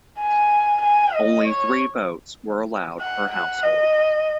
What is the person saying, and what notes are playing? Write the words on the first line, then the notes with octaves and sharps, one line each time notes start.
Only three votes were allowed per household.
G#5
G#5
D#5
C#5
F#5
F#5
D#5